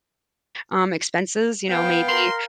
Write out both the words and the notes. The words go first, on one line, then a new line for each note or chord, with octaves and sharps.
um, expenses, you know, maybe,
B3 F5 G5
A#4 C6